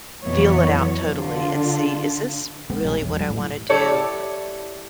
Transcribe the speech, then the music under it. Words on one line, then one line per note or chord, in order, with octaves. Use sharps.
f feel it out totally and see, is this really what I wanna do
F2 B2 E3 F#3 B3 C#5
D3 F4
G#3 B3 C4
A#1 G3 G#3 C#4
E1
F#3 G3
A2
E4 G4 A4 C#5 D5